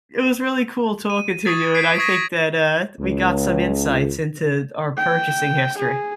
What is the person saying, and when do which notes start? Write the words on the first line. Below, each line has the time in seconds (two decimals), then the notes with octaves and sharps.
it was really cool talking to you, and I think that, uh, d we got some insights into our purchasing history.
1.10 D#7
1.45 C#6 D#6 G#6 A6
1.75 G#6 B6 C7 D7
1.98 C#6 D#6 G#6 A#6 B6 D#7
2.99 C#2
4.97 G5
5.78 G#4